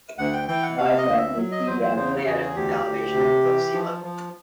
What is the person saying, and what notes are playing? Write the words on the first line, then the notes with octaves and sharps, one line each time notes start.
The highest mountain is Didi Abuli at an elevation of above sea level.
D2 F#5
G5
E3 G5
F#5
C3 F5
D#5
D2
E5
F#3
D#5
E2 C5
C5
C#3 C5
E2 G#4
G#4
D2 G4
D2
C3
E3
F3
F3